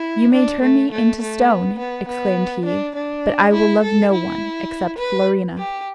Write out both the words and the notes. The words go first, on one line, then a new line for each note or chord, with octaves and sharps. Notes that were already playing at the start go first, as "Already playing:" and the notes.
"You may turn me into stone!" exclaimed he; "but I will love no one, except Florina."
Already playing: E4
D4
A3
A3
A3
B3
B3
B3
D4
D4
E4
A4
E4
B4
G4